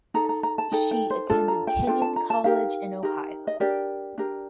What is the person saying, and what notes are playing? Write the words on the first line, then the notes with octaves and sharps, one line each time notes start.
She attended Kenyon College in Ohio.
D#4 A4 A#5
A#5
A#5
A5
D#4 A4 G5
G5
C5
D4 F4 A4
A#5
G5
D4 F4 A4 G5
A5
A#5
A5
D#4 G4 A#4 F5
D#4 G4 A#4
D#5
D4 G4 A#4 D5
D4 G4 A#4